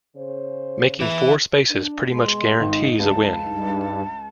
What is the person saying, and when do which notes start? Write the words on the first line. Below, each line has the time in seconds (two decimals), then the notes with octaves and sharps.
Making four spaces pretty much guarantees a win.
0.16 C#3 C5 C#5
1.00 E2 E3 E4
1.70 D4
2.11 B2 G#3 C6
2.60 G#1 D#3 D#4
3.00 C#2 E3 F3 D#4 A5
3.46 G2 D#4